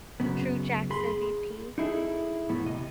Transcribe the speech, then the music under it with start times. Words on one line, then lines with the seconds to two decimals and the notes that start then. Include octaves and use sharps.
True Jackson VP.
0.20 F#2 C#3 B3
0.90 G#4 B5 C6
1.78 D#4 E4 G#4 A4
2.49 F2 A2 E3 B3
2.66 C2 C3 D#5